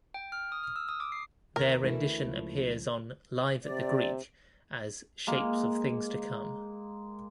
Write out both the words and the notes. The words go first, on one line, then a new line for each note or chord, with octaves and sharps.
Their rendition appears on "Live at the Greek" as "Shapes of Things to Come".
G5
F6
D#6
F6
E6
D#6
D6
C7
D#2 D#3 A#4
D2 E3 A3 E4
C#2 F3
C3 D5
G#3 A#3